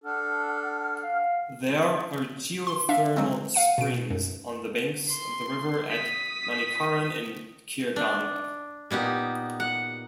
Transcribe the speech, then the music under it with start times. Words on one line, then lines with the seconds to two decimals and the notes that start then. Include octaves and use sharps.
There are geothermal springs on the banks of the river at Manikaran and Khirganga.
0.04 D4 A4 F#5 F6
1.03 F5
2.67 C6
2.89 D4 E5 F5
3.17 F#3 G#3 C4
3.54 F5 F#5 C#7 D#7
3.78 B2 D7
4.10 F#2
5.09 C6
5.90 D#6 B6
7.96 D4
8.91 A#2 B3 D#4 G4
9.60 F#5